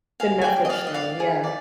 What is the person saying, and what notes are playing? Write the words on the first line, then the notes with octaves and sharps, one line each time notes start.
The Netflix show, yeah.
G#4 F5
G#5
D5 G5
D#5
D5 F5
D#5
D5 F5
G#4
D5